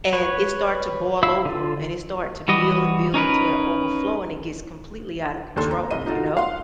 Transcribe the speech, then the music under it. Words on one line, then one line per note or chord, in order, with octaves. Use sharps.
and it start to boil over, and it start to build, and build until it overflow, and it gets completely out of control, you know.
B4 C#5
E4 F5 E6
D3 F4
E3 G3 F#4 D#5
C#4 D#4 A#4 B4
D#2 D4 A4 C6
A#5
C2 D#5 D#7
D#4 F4 F#4 A4
F5 F#5 C6